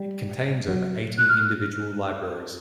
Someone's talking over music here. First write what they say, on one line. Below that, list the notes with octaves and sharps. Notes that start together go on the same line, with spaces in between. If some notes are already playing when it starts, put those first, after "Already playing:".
It contains over eighty individual libraries.
Already playing: G3
F#3
F#6
F6